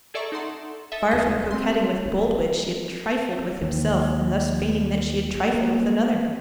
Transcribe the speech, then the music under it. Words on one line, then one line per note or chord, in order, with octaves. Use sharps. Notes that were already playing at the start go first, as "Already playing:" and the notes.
Far from coquetting with Boldwood, she had trifled with himself in thus feigning that she had trifled with another.
G#4 A4 D5 E5 A#5 C#6
D#4 A4 F#5 C6
A4 D#5 E5
D#2 C#3 F#3 D#5 B6
C4 C6
G1 C2
D#2
A#3